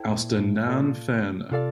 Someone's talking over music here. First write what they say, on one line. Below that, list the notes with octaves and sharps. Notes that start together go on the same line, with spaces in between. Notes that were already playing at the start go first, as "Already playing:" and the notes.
"Aus der nahen Ferne".
Already playing: E4 A4 C5 G5
A#2
A2
A#2 F4 A4 D5 F5
C3 F4 A4 D5 F5